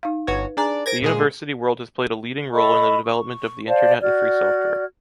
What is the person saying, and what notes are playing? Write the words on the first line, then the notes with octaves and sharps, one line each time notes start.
The university world has played a leading role in the development of the Internet and free software.
D#4 F5
G1 F#4 B4 C#5
D4 G#4 D5 G#5 A#5
A#4 C5 G#6 A#6 D7
A#2 G#3 G#4
A4 D#5 B5 C#6
C#6
C5 D5 F5 A5
F#4 D5 F6 G#6